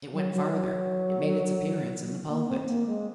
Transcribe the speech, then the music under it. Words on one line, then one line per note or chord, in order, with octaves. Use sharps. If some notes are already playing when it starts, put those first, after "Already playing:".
It went farther; it made its appearance in the pulpit.
F#3
F#3
F#3
A#3
C4
A#3
G#3